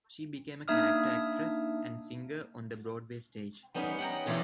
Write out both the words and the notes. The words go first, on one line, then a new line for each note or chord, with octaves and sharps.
She became a character actress and singer on the Broadway stage.
A#3 D4 D#4 E5 D#6 F6
G3 B3 C#4 D#4
F#5 G5 A#5
E2 B2 E3 E4 F4 D5